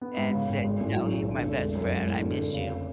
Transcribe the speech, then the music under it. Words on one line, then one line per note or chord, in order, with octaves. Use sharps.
and said, you know, "You're my best friend, I miss you."
B3
G#2
C#3
G#1
G#3
A1
F#3
B1
D3
F1
G#3
F#2
G#3
A2
D3
F1
C#3